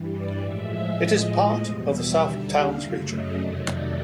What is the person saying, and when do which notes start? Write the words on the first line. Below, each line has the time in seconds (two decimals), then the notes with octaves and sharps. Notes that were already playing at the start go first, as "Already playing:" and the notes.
It is part of the Southtowns region.
Already playing: G2 E3 G3
0.11 D5
0.40 A2 F3 G#3 E5
0.99 A2 F3 G#3 D#5
1.59 E2 B2 G3
1.89 E5
2.18 D#2 D3 G3 E5
2.48 F5
2.78 F#2 C#3 F#3 A3 E5
3.08 D#5
3.37 F2 C3 D#3 F#3 A3 D5
3.66 D5